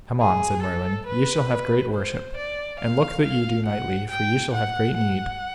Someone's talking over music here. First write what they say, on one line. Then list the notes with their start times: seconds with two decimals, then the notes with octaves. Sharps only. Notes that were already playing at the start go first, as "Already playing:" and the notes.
Come on, said Merlin, ye shall have great worship, and look that ye do knightly, for ye shall have great need.
0.20 G#4
0.63 A4
1.07 B4
1.93 C5
2.37 D5
2.80 F5
3.23 F5
3.67 F#5
4.10 G5
4.54 F#5
4.97 F#5